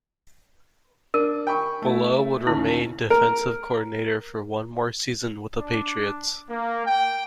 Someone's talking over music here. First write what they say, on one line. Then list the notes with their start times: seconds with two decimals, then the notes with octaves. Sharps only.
Bullough would remain defensive coordinator for one more season with the Patriots.
1.14 D4 A#4
1.47 G5 B5 C#6
1.82 A3 E4
2.47 D#2 C#3 E4
3.10 A#4
5.58 D4
6.48 A#3
6.86 G5